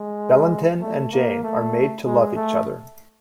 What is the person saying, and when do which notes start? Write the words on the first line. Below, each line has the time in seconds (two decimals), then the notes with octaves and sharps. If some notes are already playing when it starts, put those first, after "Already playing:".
Valentin and Jane are made to love each other.
Already playing: G#3
0.81 A3
1.12 A#3
1.43 A3
2.06 G#3
2.36 A3